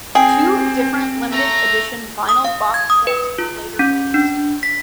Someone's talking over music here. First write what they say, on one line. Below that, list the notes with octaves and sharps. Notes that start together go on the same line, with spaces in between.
Two different Limited Edition Vinyl Box sets were later released.
C4 G#4 G5
A3 A#5
D#6
F5
G#6
D#6
B4
F4
C#4
D4
B6